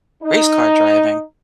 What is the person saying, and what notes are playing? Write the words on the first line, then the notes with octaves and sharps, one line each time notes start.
race car driving
D#4